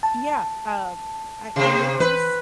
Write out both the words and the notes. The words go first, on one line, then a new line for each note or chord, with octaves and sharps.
Yeah, um, I I make this
A5
C3 C4
E3 B4